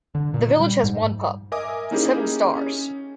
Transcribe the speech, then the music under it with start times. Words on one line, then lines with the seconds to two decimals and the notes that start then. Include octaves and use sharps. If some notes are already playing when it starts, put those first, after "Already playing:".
The village has one pub - The Seven Stars.
0.15 D3
0.34 A#2
0.60 G3
0.84 G#2
1.52 A#4 D#5 E5 G#5 D6 D#6
1.91 A#3 C#4 D#4 E4 G4 G#4
2.56 C#4